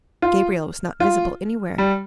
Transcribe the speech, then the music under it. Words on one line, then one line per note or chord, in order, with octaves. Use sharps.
Gabriel was not visible anywhere.
F4
F4
G3